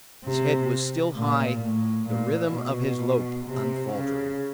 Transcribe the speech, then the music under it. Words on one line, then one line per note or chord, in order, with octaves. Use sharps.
His head was still high, the rhythm of his lope unfaltering.
C3
A#2
A2
A#2
B2
C3
C#3